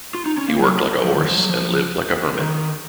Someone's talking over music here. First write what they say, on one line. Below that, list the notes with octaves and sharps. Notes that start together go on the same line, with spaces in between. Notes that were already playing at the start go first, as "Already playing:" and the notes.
He worked like a horse and lived like a hermit.
F4
D#4
C#4
A#3
F#3
F3
D#3
F3
F#3
F3
D#3